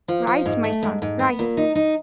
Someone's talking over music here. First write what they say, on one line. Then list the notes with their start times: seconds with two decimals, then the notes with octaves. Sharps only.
'Right, my son, right.
0.08 F3
0.27 F3
0.46 G#2
0.64 A3
0.83 G#2
1.02 G#2
1.19 B3
1.39 A#2
1.57 D#4
1.75 D#4